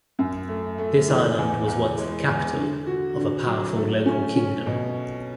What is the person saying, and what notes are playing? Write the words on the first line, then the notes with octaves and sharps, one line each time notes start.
This island was once the capital of a powerful local kingdom.
F#2
A3
A3
E3
E2
E2
G#3
E2
D3
F#4
D3
F#3
A3
C#4
C#4
B2